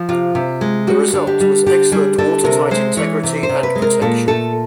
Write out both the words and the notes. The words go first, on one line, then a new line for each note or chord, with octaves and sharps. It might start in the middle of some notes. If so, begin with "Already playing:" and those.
The result was excellent watertight integrity and protection.
Already playing: F3
C3 F4
C3
G#3
G3 F#4
D3
G4
G3
D3 G4
G3 G#4
D3 A4
C3 A#4
G#3 C5
E3 C#5
C3
C5
C3
B4
G#3
A#4
A#2 A4
A3 A4